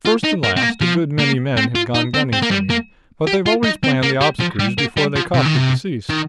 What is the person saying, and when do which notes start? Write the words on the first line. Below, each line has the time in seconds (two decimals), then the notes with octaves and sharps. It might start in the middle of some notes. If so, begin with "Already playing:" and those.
First and last, a good many men have gone gunning for me, but they've always planned the obsequies before they caught the deceased.
0.06 F4
0.24 D#4
0.44 A#3
0.57 C4
0.62 A#3
0.81 F3
1.19 A#3
1.57 C4
1.75 F4
1.94 D#4
2.14 C4
2.33 C4
2.42 A#3
2.51 G3
2.70 A#3
3.27 G4
3.46 F4
3.64 D#4
3.84 C4
4.03 A#3
4.21 G3
4.40 F3
4.59 G3
4.78 A#3
4.97 G3
5.16 F3
5.34 C3
5.45 D#3
5.56 C3
6.09 D#3